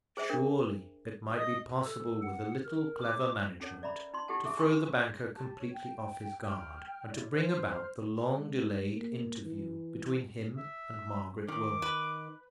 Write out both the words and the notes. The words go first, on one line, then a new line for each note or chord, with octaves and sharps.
Surely it might be possible, with a little clever management, to throw the banker completely off his guard, and to bring about the long-delayed interview between him and Margaret Wilmot.
G#4 C5 E5
D4 A#4
D#5 D#6
A4
F#5
A#4
D6
C#4 D#4 A4 A#4 C#5 F#5
D5 E5 A#5 B5
D#4 C6
D#4 E4 G4 A4 F#5 A5
G#4 A4 E5
G#4 G5 G#5 C6 C#6
G4 A5
C#5
G5
G5 F6
E4 F4 C#5 D5
C5 F6
G#3
A#3
E3
E5
D#3 D6
B4